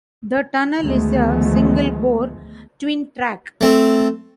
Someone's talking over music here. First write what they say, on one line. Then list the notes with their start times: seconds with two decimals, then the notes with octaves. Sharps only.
The tunnel is a single bore twin track.
0.81 D2 D#3 F3 G#3 A3 B3
3.61 A3 C4